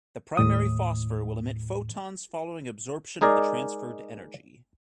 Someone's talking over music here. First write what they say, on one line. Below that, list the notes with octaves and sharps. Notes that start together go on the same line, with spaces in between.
The primary phosphor will emit photons following absorption of the transferred energy.
D#2 A2 D#6
G#3 D#4 G#4 A#4 D5